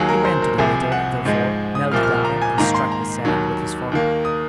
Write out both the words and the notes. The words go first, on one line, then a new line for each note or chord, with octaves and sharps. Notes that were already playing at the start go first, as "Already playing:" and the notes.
He ran to the litter, therefore, knelt down, and struck the sand with his forehead.
Already playing: D#2 D#3 F#3 A#3 G#4
A#4
C5
A#4
C2 C3 F3 G#4
F#5
G#2 F3 G#3
D#6
C2 A#2 F3 A#3 F6
F6
F6
A#5
G#5
G#2 D#3 A#3 A#5
C6
A#5
D#2 D#3 F#3
D#2 D#3 A#3
D#6